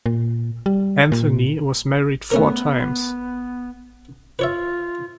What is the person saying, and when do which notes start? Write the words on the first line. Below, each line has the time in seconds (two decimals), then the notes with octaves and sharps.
Anthony was married four times.
0.06 A#2
0.66 G3
1.12 A#2
2.31 A3 B3 C#4 A#4
4.39 F4 B4 C#5 E5